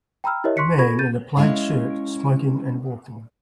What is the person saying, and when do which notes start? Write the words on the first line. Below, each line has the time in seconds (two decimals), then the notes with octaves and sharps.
A man in a plaid shirt smoking and walking.
0.24 G5 A#5 B5 E6 F6
0.44 E4 G4 A#4 C#5 D#5 E5
0.57 C6 C#6 F#6 B6 C#7
0.78 F4 A4 B5 C#6 G#6 A#6
0.99 G6 A6 D#7
1.37 G#3 C#4 E4 F5